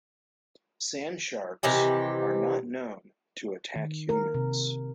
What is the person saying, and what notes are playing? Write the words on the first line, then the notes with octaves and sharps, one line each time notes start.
Sand sharks are not known to attack humans.
C3 D#3 E3 G4
D#3
A#4
C3